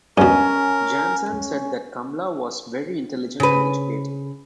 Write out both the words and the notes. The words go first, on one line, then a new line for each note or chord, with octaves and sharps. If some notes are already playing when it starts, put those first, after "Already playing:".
Janssen said that Kamala was "very intelligent and educated".
G2 B2 C#4 A#4
C#3 B4